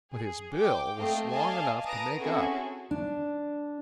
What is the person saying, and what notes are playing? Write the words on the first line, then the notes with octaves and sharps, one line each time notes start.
But his bill was long enough to make up.
G#4
G5 D6
A3 A#3 C4 D#5 F5 G5
D5 D#5 F5 G#5 A5
B4 A5 A#5 D#6 A#6 D7
C4 C#4 E4 F#4 G#4 A4
D4